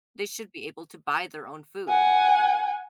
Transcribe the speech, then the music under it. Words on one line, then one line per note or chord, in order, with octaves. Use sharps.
They should be able to buy their own food.
F#5 G#5